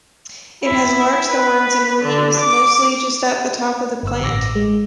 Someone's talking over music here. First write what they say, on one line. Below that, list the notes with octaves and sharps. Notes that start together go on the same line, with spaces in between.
It has large thorns and leaves mostly just at the top of the plant.
E4
B4
D3
D6
G1 E6
A1 D6 A#6
G#3